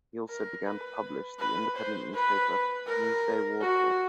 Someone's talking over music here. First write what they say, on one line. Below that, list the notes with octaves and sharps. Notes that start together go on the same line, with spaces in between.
He also began to publish the independent newspaper "News Day Warsaw".
A#4
B4
B4
C5
B4
A#4
F#4